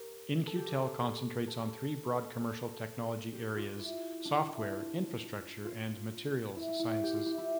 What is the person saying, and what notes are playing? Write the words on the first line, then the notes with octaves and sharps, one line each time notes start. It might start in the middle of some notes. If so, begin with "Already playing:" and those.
In-Q-Tel concentrates on three broad commercial technology areas: software, infrastructure and materials sciences.
Already playing: G4 A#4
A4
G4
A4
A4
G4
F4
E4
D4
E4
F4
F4
E4
E4
G4
F4
E4
E4